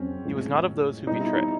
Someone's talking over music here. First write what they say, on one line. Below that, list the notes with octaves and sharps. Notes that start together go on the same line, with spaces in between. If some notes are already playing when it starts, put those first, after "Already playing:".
He was not of those who betray.
Already playing: F2 C#3 F#3 C4 C#4
A2 F3 G#3
B2 G3 D#4
E4
D#4